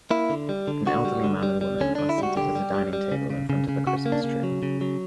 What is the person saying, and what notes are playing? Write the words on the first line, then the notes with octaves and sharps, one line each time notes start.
An elderly man and woman are seated at a dining table in front of a Christmas tree.
A#3 E4
D3
G3
D3
D3 F#4
G3
D3
G3
G3
D3 C#4
D3 D4
E4
G3
F#4
D3 G4
G3
G3
G3
C#3
C#3
C#3
C#3
C#3 F#4
A#3
D4
C#3
F#3
C#3
F#3